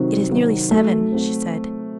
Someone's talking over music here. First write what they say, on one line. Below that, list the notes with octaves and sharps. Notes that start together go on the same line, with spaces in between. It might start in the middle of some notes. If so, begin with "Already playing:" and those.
'It is nearly seven,' she said.
Already playing: C3 D#3 F#3 C4 F#4
D#3 F#3 C4 F#4
F#3 A3
C4 F#4